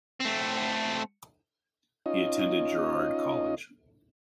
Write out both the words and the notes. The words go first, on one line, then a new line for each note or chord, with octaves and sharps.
He attended Girard College.
A3 C4
C#4 D#4 F4 D#5